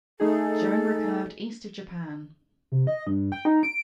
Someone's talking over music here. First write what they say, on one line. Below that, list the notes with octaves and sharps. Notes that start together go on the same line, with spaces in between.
Joan recurved east of Japan.
A3 D#4 G#4 A4
C3
D#5
G2
G5
D#4
D7